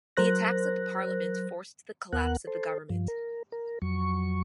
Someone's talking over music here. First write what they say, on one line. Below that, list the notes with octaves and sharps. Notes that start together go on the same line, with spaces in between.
The attacks at the Parliament forced the collapse of the government.
F#3 A#4 C5 F#6 A#6
D#2 B3 A#4 F#5 F#6
A4 C5
G2 F3
A#4
A#4
F2 F#3 C#6